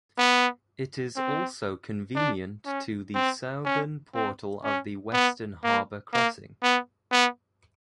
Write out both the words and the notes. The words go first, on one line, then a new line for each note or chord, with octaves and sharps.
It is also convenient to the southern portal of the Western Harbour Crossing.
B3
C4
D4
C#4
C4
C#4
C4
C#4
B3
A#3
A#3
B3
B3